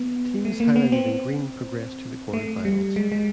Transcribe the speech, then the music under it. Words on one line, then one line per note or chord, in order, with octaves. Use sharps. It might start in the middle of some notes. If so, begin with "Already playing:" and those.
Teams highlighted in green progress to the Quarter Finals.
Already playing: B3
A3
A#3
B3
C4
A3
G3
G#3
G#3